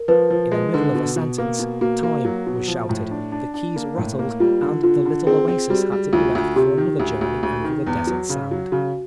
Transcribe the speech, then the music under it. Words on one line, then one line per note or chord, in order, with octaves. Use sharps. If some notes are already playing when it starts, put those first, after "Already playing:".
In the middle of a sentence "Time!" was shouted, the keys rattled, and the little oasis had to be left for another journey over the desert sand.
Already playing: A#4
F3 B4
F3
G#3
D3
B2
B2
A#3
B2
A#3 F#4
A#3
F#3
B2
F3
A2
D4
D4
D4
A#3
A2
A#3
G3 F4
D3
D3 F4
D3
C4 G#4
C4
G3 F#4
G3
D2 F4
D2
C3 G4
D#3
D2
D2
D2
D#3
E2
F#3
C#3
F#3
C#3 F#4